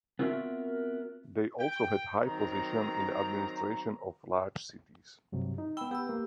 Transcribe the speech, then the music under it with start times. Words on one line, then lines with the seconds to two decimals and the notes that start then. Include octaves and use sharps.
They also had high positions in the administration of large cities.
0.19 B3 C4 F4 F#4 A#4 E5
1.59 G5
2.25 D#3 F#3 C4 A#5
5.32 G2 C3 F#3
5.58 D#4
5.77 B3 G5 B5 E6
5.91 B3 G4 E6
6.09 A#3